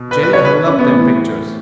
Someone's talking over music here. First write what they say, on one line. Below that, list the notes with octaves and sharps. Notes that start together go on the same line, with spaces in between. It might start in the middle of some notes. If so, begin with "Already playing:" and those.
Jenny hung up them pictures.
Already playing: B2
B4
B4
C#5
B4
C#4
B3
A2 E3